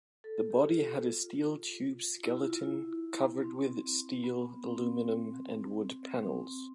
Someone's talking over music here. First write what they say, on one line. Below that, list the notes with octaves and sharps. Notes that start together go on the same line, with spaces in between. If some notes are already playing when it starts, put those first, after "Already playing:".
The body had a steel tubes skeleton, covered with steel, aluminum and wood panels.
A4
A4
G4
F4
E4
F4
E4
F4
E4
C4
B3
C4
C4